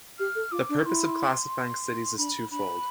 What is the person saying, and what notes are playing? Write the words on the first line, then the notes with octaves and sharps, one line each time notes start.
The purpose of classifying cities is twofold.
G4 F6
A4
F4 D6
D4
E4 C6
D4 B5
D4 B5